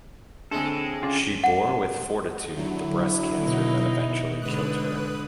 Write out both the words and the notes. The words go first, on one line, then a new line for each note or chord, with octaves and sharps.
She bore with fortitude the breast cancer that eventually killed her.
A2 D3 G#3 C4 G#4 A4
C#3 F4 D5
F#5
D3 F#3 E4
B2 D#4
G#2 D3 B4 D#6 F#6